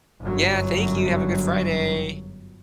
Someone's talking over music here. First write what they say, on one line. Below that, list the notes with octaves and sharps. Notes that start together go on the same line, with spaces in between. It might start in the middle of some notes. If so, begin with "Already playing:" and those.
Yeah, thank you, have a good Friday.
G1 F#2 F#3